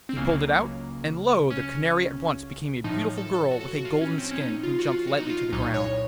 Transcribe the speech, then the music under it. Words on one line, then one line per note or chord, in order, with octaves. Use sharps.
He pulled it out, and lo! the Canary at once became a beautiful girl with a golden skin who jumped lightly to the ground.
C4
C#2 C#3 F#3 A#3
C#4
A2 F3 D#4
A4
A4
F#4
A4
F#4
F#4
F4
C#4
C4
C#4
D#4
F4
F#4
F4
F#4
D#4
F4
C2 A#2 F#3 D#4
C#5